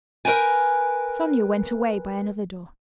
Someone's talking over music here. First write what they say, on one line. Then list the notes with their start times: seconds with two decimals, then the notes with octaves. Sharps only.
Sonya went away by another door.
0.25 A#4 B4 G5 G#5